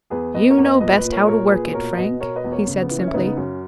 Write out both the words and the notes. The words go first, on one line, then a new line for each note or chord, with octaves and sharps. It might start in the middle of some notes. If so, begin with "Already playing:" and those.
"You know best how to work it, Frank," he said simply.
E2 G#4 B4
E2 B4 D#5
A#4 C#5
E2
B4 D#5
A#2 B4 D#5
B4 D#5
A#2
A#4 C#5
A#2 A#4 C#5
A#2 G#4 B4
B2 A#4 C#5
B2 B4 D#5
B2 A#4 C#5
B4 D#5
E2
A#4 C#5
C#3
B3
E3
C#4
E4
C#3 B3 D#4
F#2 C#4